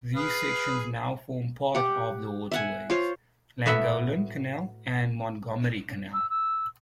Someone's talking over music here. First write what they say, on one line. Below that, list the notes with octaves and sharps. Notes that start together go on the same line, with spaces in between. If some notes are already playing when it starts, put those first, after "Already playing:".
These sections now form part of the waterways: Llangollen Canal and Montgomery Canal.
G#4 B4 F5
G4 F#5
E5 F#5 G#5
F4 C5 C#5 F5
A2 B3 F#4 E5
E6
E6